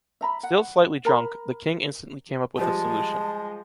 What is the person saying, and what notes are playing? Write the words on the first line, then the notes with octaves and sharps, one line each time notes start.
Still slightly drunk, the King instantly came up with a solution.
E5 A#5 B5
F#5
A#4 A#5 B5
F3 G3 G#3 A5